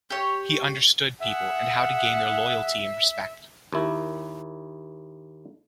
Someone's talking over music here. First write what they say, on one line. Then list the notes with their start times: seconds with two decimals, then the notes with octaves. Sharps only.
He understood people and how to gain their loyalty and respect.
0.10 G4 C#5
1.20 G#4 E5 F#5
3.73 D#2 E4